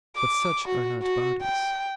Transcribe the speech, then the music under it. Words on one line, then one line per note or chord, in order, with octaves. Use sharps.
But such are not bodies.
D6
F#4
F#4
G5